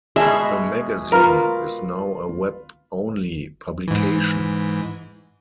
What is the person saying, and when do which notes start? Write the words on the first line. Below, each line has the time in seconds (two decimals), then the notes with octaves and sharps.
The magazine is now a web-only publication.
0.16 B2 G#3 G#4 D#5 E5 A5
1.12 F4 A#4 B4
3.88 G#2 E3